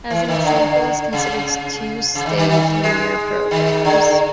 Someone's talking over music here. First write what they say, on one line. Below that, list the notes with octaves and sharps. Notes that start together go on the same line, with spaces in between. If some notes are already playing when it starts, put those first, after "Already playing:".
As an example, consider two-stage linear programs.
E3
D#3
D3
C#3
C#3
D#3
D#3
D#3
G#3
D#3
D3